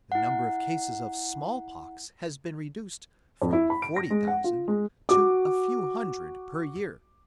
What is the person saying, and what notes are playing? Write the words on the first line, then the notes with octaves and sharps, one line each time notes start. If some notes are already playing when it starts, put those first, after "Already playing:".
The number of cases of small-pox has been reduced from forty thousand to a few hundred per year.
E4 F#5
F2
E4
B5
D7
A#6
G#3
F#5
F4
G#3
F#4 D6